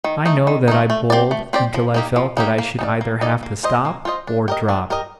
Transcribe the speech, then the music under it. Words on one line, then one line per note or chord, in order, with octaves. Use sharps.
I know that I bowled until I felt that I should either have to stop or drop.
D#3
A3 D#4
D#3
A3 D#4
A3
C4 G4 D5
A3
C4 G4 D5
F3
A#3 D#4 G4
F3
A#3 D#4 G4
A#3
D#4 A4 D5
A#3
D#4 A4 D5
A#3
F4 C5 D#5
A#3
F4 C5 D#5
D4
G4 A#4 D#5
D4
G4 A#4 D#5